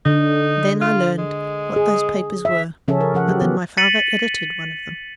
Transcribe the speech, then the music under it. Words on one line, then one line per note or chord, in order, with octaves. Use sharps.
Then I learned what those papers were, and that my father edited one of them.
D3 D#4
F4
G#3
G#4
E5
C#3 F3 C#4 G#4 A4 E5
A#4
F3 A4 F#5
F#3 G4
E3 B3
A6 B6 C#7 D#7 F#7